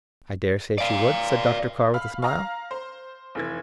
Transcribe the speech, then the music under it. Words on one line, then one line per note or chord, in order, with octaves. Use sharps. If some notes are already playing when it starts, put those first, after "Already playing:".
"I dare say she would," said Dr. Carr, with a smile.
D5 F5
F5 B5 F6
F5 A#5 F6
C5
F1 E3 G#6